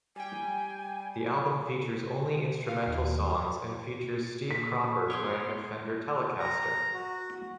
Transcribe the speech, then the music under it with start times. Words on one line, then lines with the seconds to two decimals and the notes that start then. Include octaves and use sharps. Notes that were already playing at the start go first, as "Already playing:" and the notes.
The album features only instrumental songs and features Steve Cropper playing a Fender Telecaster.
0.16 G3 G5 G#5
2.68 F5
2.87 D#2
4.51 A#2 B6
5.10 B3 G#4 C#5 G5 C6
6.39 A#5
6.93 F#4